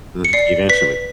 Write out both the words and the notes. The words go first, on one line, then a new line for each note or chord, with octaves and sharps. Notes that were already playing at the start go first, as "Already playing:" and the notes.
Mhm. Eventually.
C#7
D5 C7
B4 B6